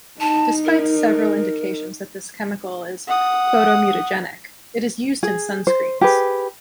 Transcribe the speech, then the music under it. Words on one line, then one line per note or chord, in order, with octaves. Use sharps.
Despite several indications that this chemical is photomutagenic, it is used in sunscreens.
D#4 A5
A#4
F#5 D#6
G#4
C5
G4 G#4 B4